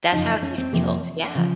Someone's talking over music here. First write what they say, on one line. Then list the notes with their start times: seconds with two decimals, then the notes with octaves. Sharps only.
That's how he feels. Yeah.
0.12 F#2 C#3 F3 D#4
0.43 C#4
0.58 C4
0.73 F2 C3 F3 A#3
1.35 C#3 F3